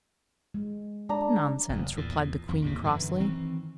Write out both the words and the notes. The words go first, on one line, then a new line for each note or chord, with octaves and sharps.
'Nonsense!' replied the queen crossly.
G#3
G#3 D4 A#5
F#1 E2
E2 A#2
F2
D#2 A2 C3
F#2 D3 E3 F#3
D#3 E3 C4